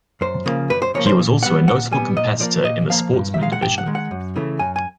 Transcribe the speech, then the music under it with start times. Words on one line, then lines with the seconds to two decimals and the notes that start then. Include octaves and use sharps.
He was also a notable competitor in the Sportsman Division.
0.21 F#2 C5
0.46 C#3 F3 A#3
0.70 F#2 B4
0.82 C5
0.94 C#3 F3 A#3 C#5
1.06 C5
1.19 A#2
1.43 G3 B3 F#5
1.67 A#2 F#5
1.91 G3 B3 G#5
2.17 A#2 D#5
2.40 F3 A#3 D5
2.64 A#2 D#5
2.89 F3 A#3 F5
3.13 G2
3.34 E5
3.38 D#3 G#3 F5
3.52 F#5
3.62 G2 G5
3.78 F#5
3.86 D#3 G#3
3.95 F#5
4.11 F#2
4.36 C#3 E3 A3
4.59 F#2 G#5
4.76 G#5